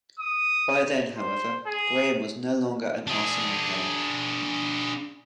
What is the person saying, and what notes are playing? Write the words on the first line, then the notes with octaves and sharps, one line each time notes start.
By then, however, Graham was no longer an Arsenal player.
D#6
C5
G#4
D4 G#4